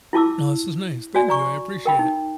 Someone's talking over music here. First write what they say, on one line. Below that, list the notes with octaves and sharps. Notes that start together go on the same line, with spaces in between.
No, this was nice. Thank you, I appreciate it.
E4 F4 A5 D6 E6
F#4 C#5 D5 G#5
D5 A#5 C#6
A#4 G5 B5
D#4